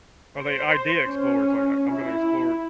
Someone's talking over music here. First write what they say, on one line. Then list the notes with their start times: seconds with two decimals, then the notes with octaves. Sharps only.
are they idea explorers? Like, I I'm gonna explore
0.37 C5
1.07 C#4
1.91 E4